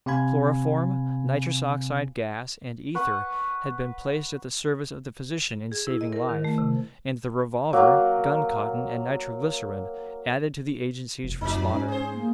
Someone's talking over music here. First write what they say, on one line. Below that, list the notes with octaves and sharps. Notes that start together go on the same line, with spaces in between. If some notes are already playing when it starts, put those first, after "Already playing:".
Chloroform, nitrous oxide gas, and ether had been placed at the service of the physician in saving life, and the revolver, guncotton, and nitroglycerine added to the agencies for slaughter.
C3 C4 F5 G#5 B5 G#6
B4 F#5 C#6
G#4
E4
D#5
A#4
D#3
A3
C3
F#3 A#3
F1
F#1 F3 D#4
F#2
G#2 C#4
G#4 C5
A#3